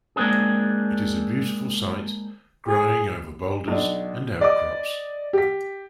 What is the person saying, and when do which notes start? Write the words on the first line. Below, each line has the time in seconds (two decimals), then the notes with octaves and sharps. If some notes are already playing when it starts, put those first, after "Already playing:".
It is a beautiful sight growing over boulders and outcrops.
0.16 G#3 A#3 C4 D4 G#4
2.68 G#4
3.68 B1 D4
4.41 D5 D#5 D6
5.33 G4 B6